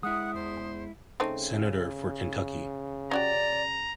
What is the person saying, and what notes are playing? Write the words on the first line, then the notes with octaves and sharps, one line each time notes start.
Senator for Kentucky.
G#3 E4 F#5 D#6
E2 C5
C#3 A3 C4 D#4
C#4 F#4 G4 D5 A#5